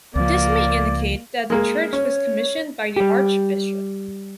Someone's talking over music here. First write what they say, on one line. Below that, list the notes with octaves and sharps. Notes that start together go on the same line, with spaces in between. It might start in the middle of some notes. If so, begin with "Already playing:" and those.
This may indicate that the church was commissioned by the archbishop.
C#2 F3 A#3 D5
G#3 A#3 G#4
C#4 C#5
G3 G4